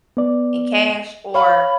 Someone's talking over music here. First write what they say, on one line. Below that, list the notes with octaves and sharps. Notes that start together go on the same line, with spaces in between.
in cash or
B3 D5
C#5 F5 B5